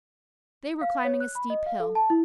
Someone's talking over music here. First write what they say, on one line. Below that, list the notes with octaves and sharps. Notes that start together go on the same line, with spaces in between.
They were climbing a steep hill.
F5
C#5
F#6
B5
D#5
F5
A4
A5
E4